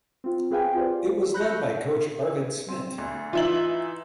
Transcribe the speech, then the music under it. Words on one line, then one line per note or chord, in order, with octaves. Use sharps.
It was led by coach Arvid Smit.
C4 F4
C4 G#4 B4 F5 G5 G#5
F4 G4 C5 D5
B5 F#6 G6 A#6 C#7
C4
D2
E3 D#4 F4 E5 F#7